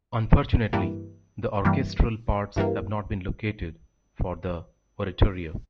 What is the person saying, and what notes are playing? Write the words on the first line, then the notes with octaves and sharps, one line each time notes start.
Unfortunately, the orchestral parts have not been located for the oratorio.
G2 E3 G3 A#3
G2 E3 G3 A#3
G2 E3 G3 A#3